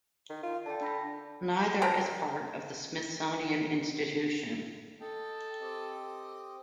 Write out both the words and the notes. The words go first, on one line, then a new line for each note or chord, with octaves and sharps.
Neither is part of the Smithsonian Institution.
D#3
F4
D3 G5 A5
D4 B5 A#6
A#4 G5 A5 A#5
A4 D#5 G5
C4 G4 D#5